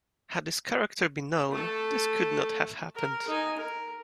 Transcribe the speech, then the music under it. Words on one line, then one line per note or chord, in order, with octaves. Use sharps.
Had his character been known, this could not have happened.
A3 A4
A#4
D#4 G#5
A#4